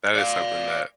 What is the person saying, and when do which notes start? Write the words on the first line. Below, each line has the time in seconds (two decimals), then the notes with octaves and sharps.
that is something that
0.15 D5 F5